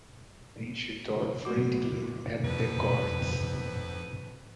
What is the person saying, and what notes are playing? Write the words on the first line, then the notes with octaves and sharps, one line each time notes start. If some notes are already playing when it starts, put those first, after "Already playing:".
Then she tore frantically at the cords.
A2 F#3 A3 B3 F#4 D6
F2 G#2 F3 B4